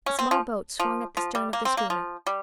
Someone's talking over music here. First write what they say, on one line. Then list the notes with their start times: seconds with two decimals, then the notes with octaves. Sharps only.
A small boat swung at the stern of the schooner.
0.06 C#4
0.19 C4
0.31 F3
0.80 F3
1.17 F3
1.35 G3
1.53 A#3
1.65 C4
1.77 A#3
1.90 F3
2.27 G3